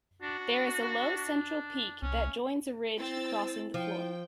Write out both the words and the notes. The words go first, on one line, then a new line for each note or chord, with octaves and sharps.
There is a low central peak that joins a ridge crossing the floor.
D4 F#4
D4
C2 C#4
C4 E4 E6 A6
F3 G5